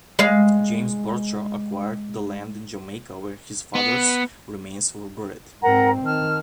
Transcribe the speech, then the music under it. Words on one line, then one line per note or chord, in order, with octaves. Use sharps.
James Bradshaw acquired the land in Jamaica where his father's remains were buried.
G#3 F5
B3
G#2 C4 A#4 F#5 A#5
D#3 A5 F6